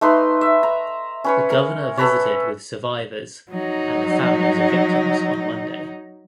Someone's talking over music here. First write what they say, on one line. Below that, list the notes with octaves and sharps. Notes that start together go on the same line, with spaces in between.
The governor visited with survivors and the families of victims on Monday.
A3 D#4 B4 C6
E5
A#5
C#4 B4 C#5
A#4
A4 B4 C#5
F#3 D#4